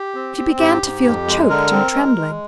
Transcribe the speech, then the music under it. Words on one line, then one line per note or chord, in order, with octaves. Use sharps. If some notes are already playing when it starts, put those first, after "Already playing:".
She began to feel choked and trembling.
Already playing: G4
C4
C4
G#2 G4
G#2
F2
G#3
D3 A#4
C4
G#3
G#3